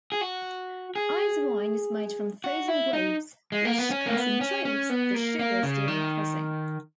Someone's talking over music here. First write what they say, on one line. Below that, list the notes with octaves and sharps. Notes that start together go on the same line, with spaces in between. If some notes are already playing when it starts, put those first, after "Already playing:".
Ice wine is made from frozen grapes, which concentrates the sugars during pressing.
G#4
F#4
G#4
F#4
E4
D#4
G#3
A#3
B3
C#4
A#3
B3
C#4
C#4
B3
A#3
A#3
C#3
D#3